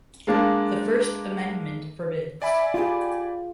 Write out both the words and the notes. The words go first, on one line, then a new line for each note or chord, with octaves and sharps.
The First Amendment forbids.
G#3 A#3 D4 A5
D5 E5 G#5 B5
F4 G4 G#4